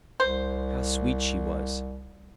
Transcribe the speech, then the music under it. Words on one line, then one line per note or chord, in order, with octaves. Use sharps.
How sweet she was!
C2 C5